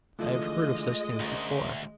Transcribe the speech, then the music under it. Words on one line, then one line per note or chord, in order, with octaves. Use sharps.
I have heard of such things before.
D3 E3 F3 G#3 A3 F4 A4 D#5
D2 C#4 A#4 C5